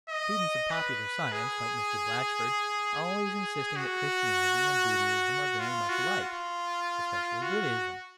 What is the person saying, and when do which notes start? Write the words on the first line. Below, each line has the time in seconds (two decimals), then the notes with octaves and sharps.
Students of popular science, like Mr. Blatchford, are always insisting that Christianity and Buddhism are very much alike, especially Buddhism.
0.09 D#5
0.71 B4
1.32 G#4
3.76 F#4
5.60 F4
5.89 F#4
6.21 F4
7.42 F#4